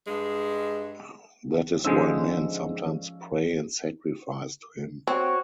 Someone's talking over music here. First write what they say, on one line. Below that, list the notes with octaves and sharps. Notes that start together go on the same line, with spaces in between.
That is why men sometimes pray and sacrifice to him.
G2 G#3
G#2 D3 F3 G#3 C#4 E6
C4 F#4 C#5